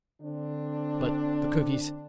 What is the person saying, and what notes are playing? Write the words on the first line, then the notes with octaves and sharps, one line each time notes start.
But the cookies!
D3 C4 D4